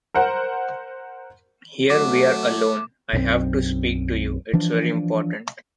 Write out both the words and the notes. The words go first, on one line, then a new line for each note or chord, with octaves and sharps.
Here we are alone, I have to speak to you; it’s very important.
A#4 C5 F#5
F#3 A3 B3 D6
B1 F#2 G3 C4
E3 F3 D4